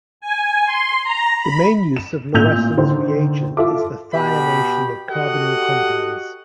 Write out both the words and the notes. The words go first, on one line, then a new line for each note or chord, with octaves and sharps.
The main use of Lawesson's reagent is the thionation of carbonyl compounds.
G#5
C6
A#5
B5
E7
A1 A#2 E6 G6 F7
D3 D#3 C5
F4 A4 E5 D6
B2 G4 B5
F#4 G4 A4 D#5 F#5